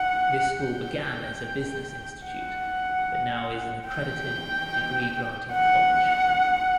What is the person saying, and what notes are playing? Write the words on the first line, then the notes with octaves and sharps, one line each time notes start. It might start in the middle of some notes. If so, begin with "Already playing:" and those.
This school began as a business institute, but now is an accredited degree-granting college.
Already playing: F#5
G5
F#5
G5
F#5